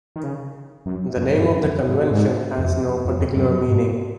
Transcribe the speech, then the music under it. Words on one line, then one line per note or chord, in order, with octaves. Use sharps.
The name of the convention has no particular meaning.
D#3
C#3
F#2
F#2
G#2
F#2
F2
G#2
G#2
F2
F2
F2
F#2
G#2